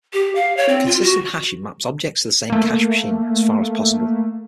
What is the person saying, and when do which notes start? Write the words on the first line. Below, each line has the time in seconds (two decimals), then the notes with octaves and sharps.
Consistent hashing maps objects to the same cache machine, as far as possible.
0.13 G4
0.35 F5
0.57 C#5
0.69 C4
0.86 F4
1.03 F#4
2.50 A3 A#3